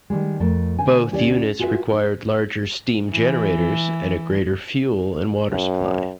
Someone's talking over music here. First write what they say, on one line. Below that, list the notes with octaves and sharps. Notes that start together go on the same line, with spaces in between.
Both units required larger steam generators, and a greater fuel and water supply.
D#3 E3 G3 G#3
F2 A3 A4 A#4
D3 C5 G#5
D2 C#4 G4 G#4 C#5 D5
F4 F#4 G#4 A4 B4 E5
D#4
E3
F#2